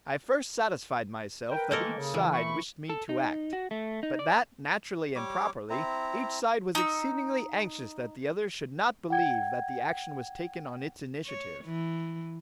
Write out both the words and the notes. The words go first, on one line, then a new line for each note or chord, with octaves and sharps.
I first satisfied myself that each side wished me to act, but that, naturally and properly, each side was exceedingly anxious that the other should not believe that the action was taken on its initiative.
A#4 B4 G5
D#3 E3 G#3 A#3 A4 A#4
C#3
E3
A3 B5 C#6
A4
D#4
F#4
A3
D#4
D5
G3 C#5 D6
C4 E4 A#5
D#4 E6
F#5 G5 G#6
C#5
E3